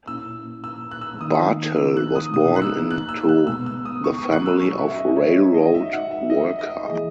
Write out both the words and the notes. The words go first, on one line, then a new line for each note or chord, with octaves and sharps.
Barthel was born in to the family of railroad worker.
A#2 A#3 C#4 E4 E6
E6
F#6
E6
D#3 A#3 D#4 D#6
E6
F#6
D#6
B2 A#3 D#4 D#6
F#6
E6
F#6
E6
F#6
B2 G#3 B3 E6
E6
D#6
C#6
D#6
F#6
E6
F#3 C#4 F#4 C#6
E5
D#5
C#5
D#5
D#5
G#3 D#4 F#4 E5
F#5
E5
D#5
D#5
E3 A#3 E4 G#4